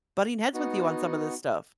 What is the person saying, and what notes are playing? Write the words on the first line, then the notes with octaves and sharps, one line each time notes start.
butting heads with you on some of this stuff,
B3 D#4 F#4